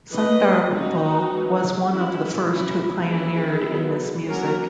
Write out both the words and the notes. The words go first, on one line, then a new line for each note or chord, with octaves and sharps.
Sundar Popo was one of the first who pioneered in this music.
E3 B3 B4 D#5
E3 A#3 C#4 D#4 F#4
E3 G#3 C#4
E3 G#3 C#4 E4
F#3 C#4 E4
E3 A#3 C#4 E4 G#4
F#3 B3
F#3 A#3 C#4 F#4 A#4